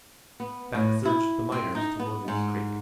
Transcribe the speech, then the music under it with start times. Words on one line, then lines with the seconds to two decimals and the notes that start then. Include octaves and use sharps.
Back surged the miners to William's Creek.
0.40 B3
0.75 A2
1.05 E4
1.52 C4
1.75 D#4
2.00 B3
2.28 G#2